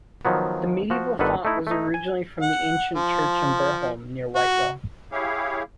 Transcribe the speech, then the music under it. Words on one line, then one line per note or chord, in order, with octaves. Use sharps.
The medieval font was originally from the ancient church at Burholme near Whitewell.
D#3 F3 F#3 B3
F3 F#4
G1 D3 D#3 A4 B4 F#5
A3 D#4 E4
A3 D#4
G#5
F#5
F3
F#4
E4 G4 G#4 C#5 F5